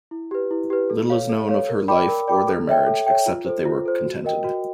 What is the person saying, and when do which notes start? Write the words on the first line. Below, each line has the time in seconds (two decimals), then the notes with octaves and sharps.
Little is known of her life or their marriage, except that they were contented.
0.11 E4
0.31 G4 B4
0.51 E4
0.70 G4 B4
0.90 A4
1.10 C#5 F5
1.29 A4
1.49 C#5 F5
1.69 A#4
1.88 D5 G5 B5 D6
2.08 A#4
2.28 D5 G5 B5 D6
2.47 A4
2.67 C#5 E5 G5
2.87 A4
3.07 C#5 E5 G5
3.26 F4
3.46 A4 C5
3.65 F4
3.86 A4 C5
4.05 F#4
4.24 A#4 D#5 G5
4.44 F#4